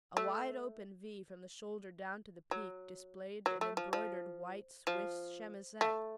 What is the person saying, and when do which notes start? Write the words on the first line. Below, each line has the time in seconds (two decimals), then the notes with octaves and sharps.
A wide open V from the shoulder down to the peak displayed an embroidered white Swiss chemisette.
0.17 A3
2.51 F#3
3.46 F#3
3.61 A3
3.77 F3
3.93 F3
4.87 F3
5.81 A3